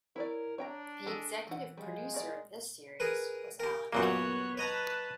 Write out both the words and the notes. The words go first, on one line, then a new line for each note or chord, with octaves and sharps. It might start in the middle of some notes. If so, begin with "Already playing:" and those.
The executive producer of this series was Alan King.
E4 A#4 C#5 D5
D4 C#5 G5 A#5
G#3 A4 A5
E3 F#5
F3 G3 G#3
A#3 D5
G#4 A#4 B4
G4 A#4
F#2 A#2 G3 A#3 B3 F#4 C#5 G5
B4 C#5 D#5 A5 A#5